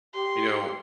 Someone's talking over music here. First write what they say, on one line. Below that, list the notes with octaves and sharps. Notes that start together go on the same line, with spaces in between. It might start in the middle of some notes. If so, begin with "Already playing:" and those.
You know
G4 C6